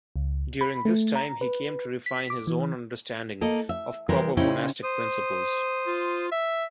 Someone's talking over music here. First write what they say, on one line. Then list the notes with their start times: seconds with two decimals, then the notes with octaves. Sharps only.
During this time, he came to refine his own understanding of proper monastic principles.
0.16 C#2
0.61 B5
0.85 A3
1.15 A#5
1.41 B4
2.06 B6
2.30 D6
2.47 E3
3.41 A#3 A4 D#5
3.69 E5
4.09 E3 G3 G#3 A#4
4.37 C#3 C#4 D#4 E4 G4 C5
4.83 C5 D#6
5.87 F4
6.32 E5